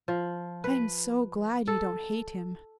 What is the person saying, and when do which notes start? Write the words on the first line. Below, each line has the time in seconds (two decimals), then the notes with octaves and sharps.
"I am so glad you don't hate him."
0.08 F3
0.64 B4
1.67 A4